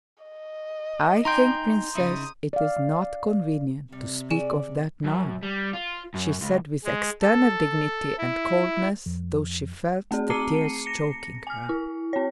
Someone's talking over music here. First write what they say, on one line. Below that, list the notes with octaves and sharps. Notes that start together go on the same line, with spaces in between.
"I think, Princess, it is not convenient to speak of that now," she said with external dignity and coldness, though she felt the tears choking her.
D#5
D#4 G5 G#5 A#5 C6 G6
C#3 D#4 E4 D#6
D5 F5
C3 G3
G#4 D5 G#5 E7
F#2
G3
F4
F#2
C#2
G#3
A4
E4
F2
A3 C4 G#4
A5 A#5 D6 C7 C#7 D#7
A#6 C#7
G#5 F6
E4
C4 C#5